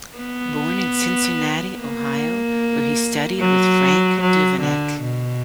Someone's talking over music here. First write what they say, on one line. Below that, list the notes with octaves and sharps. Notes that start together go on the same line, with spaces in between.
Born in Cincinnati, Ohio, where he studied with Frank Duveneck.
B3
A#3
F#3
F#3
D3
B2